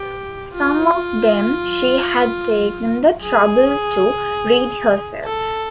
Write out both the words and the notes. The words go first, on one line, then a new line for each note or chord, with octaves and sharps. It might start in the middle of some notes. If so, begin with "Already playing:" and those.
Some of them she had taken the trouble to read herself.
Already playing: G4
F4
G#4
A4